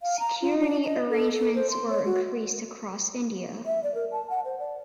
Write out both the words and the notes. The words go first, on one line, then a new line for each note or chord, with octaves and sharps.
Security arrangements were increased across India.
F5
A#5
F4
D4
D#5
A4
A4
C5
C6
C#5
F#4
E5
D5
A#4
A5
F#5
C5
D5